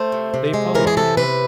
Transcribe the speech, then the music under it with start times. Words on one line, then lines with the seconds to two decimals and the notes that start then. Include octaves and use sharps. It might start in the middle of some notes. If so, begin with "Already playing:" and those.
They followed.
Already playing: A3 C5
0.12 C3
0.34 C3
0.54 G#3
0.75 E3 A#4
0.87 G#4
0.97 C3 A4
1.17 C3 B4